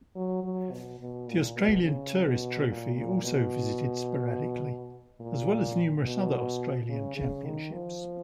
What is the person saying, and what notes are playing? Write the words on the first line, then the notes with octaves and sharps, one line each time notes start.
The Australian Tourist Trophy also visited sporadically as well as numerous other Australian Championships.
F#3
F#3
B2
B2
A#2
B2
C#3
B2
A#2
A#2
B2
A#2
B2
C#3
C#3
D#3
F3